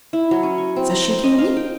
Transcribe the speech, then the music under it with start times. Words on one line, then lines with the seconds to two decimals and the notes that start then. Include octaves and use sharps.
So she came in.
0.13 E4
0.31 F#3
0.43 C#4
0.58 C#6
0.76 C4
0.90 A#5
1.11 C5
1.24 D#5
1.38 F5
1.57 G5